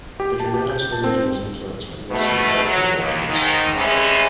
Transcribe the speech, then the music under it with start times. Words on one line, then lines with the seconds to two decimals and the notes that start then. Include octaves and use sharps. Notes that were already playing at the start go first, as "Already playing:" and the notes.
The Jornada's religion was influenced by Mesoamerican religions.
0.20 G4
0.40 A5
0.54 G4
0.70 G6
0.92 A5
1.04 C4
2.10 B2 A3
2.65 F#3
2.97 D#2
3.29 G#2 D#3
3.74 A2 C3 E3 G#3 C#4